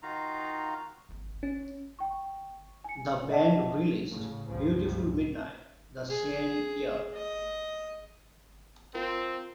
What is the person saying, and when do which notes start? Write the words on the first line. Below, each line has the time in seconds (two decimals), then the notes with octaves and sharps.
The band released "Beautiful Midnight" the same year.
0.03 D#3 D#4 F4 F#4 F5 A#5
1.43 C#4
1.99 G5 C#6
2.84 G#5 C#7
3.29 D#5 E5 F#5 A5
4.10 A2 C#3
4.47 G1 C#2 C#3 F3
4.81 C#2 A2
6.10 G#4
7.13 D#5
8.94 C4 F4 A#4